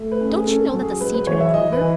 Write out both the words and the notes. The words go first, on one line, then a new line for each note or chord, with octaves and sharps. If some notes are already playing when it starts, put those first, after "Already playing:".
"Don't you know that the sea turned it over?"
Already playing: A3
B4
C#4
G#4
C#4 A4
A4
F#3
G#4
G#3 B4
B4
E3 C#5
E5
E3 D#5
B4
E3